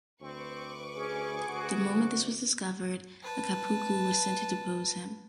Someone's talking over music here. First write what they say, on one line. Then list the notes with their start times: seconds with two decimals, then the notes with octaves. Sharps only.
The moment this was discovered, a kapucu was sent to depose him.
0.22 D2 C4 B4 C#6 D6
0.95 C#4 G#4
1.49 D2 F#4
3.24 B4 A5